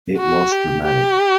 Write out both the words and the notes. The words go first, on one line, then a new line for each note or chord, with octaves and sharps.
It was dramatic.
F#4
G4
G4